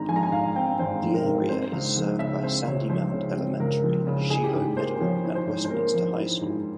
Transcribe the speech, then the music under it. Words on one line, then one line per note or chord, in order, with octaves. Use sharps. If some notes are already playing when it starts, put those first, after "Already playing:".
The area is served by Sandymount Elementary, Shiloh Middle, and Westminster High School.
Already playing: G#1 G#2 C4 A#5
F3 G#5
A#5
G#5
G#2 F5
C4 G5
G#1 C5
F3
A#4
G#2
C4 C5
C#2
F3
C#3 E5
C4 C5
C#2 C#5
F3 C5
C#3
C4
C#2 A#4
F3
C#3
E4 G#4
G4
G#2 G#4
A#3 C5
F3 C#5
E4
C5
G#2
C5
A#3 A#4
F3
E4
G#2